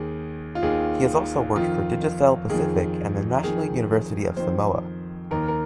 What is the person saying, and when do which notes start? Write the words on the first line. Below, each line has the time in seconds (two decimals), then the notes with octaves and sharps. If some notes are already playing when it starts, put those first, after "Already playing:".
He has also worked for Digicel Pacific and the National University of Samoa.
Already playing: D#2 D#3 G#4
0.55 F4
0.63 D#2 D#3 G#4
1.56 F2 D#3 F4
2.49 F2 D#3 G#4
3.43 F2 D#3 G#4
4.37 F2 D#3 C5
5.31 D#2 D#3 A#4
5.48 A#4